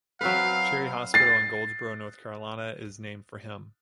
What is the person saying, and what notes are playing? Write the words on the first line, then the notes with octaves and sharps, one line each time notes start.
Cherry Hospital in Goldsboro, North Carolina, is named for him.
F#3 C4 B4 F5
A6 C7